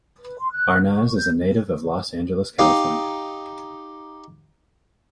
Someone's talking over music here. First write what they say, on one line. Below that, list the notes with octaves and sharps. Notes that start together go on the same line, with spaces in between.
Arnaz is a native of Los Angeles, California.
B4
C6
F#6
C#6
G6
D#4 G4 F5